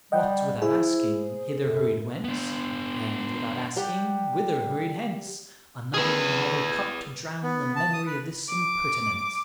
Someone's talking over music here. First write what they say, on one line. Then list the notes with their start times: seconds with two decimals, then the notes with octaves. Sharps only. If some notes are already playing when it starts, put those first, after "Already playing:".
What, without asking, hither hurried whence? And, without asking, whither hurried hence! Another and another Cup to drown The Memory of this Impertinence!
0.12 G3 D#5 F#5 G5
0.62 E4 G#4 C5
1.60 F#2 A4
2.24 B3 D4
3.76 G3 G4 F#5
5.94 G#4 B4
7.43 B3
7.76 A5
7.93 D#6
8.06 B4
8.50 D6